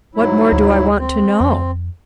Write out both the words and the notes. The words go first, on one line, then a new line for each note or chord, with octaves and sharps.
"What more do I want to know?"
G#2 F#3 E4
D2
C4
F2